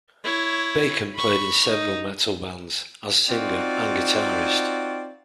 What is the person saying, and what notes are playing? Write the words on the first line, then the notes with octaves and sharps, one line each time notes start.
Bacon played in several metal bands, as singer and guitarist.
E4 C#5
B5 C#6
D#4
C4 D#4 F4 F#4 D5